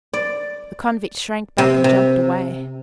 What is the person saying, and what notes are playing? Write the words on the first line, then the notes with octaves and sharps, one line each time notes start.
The convict shrank back and jumped away.
D5
C3
C3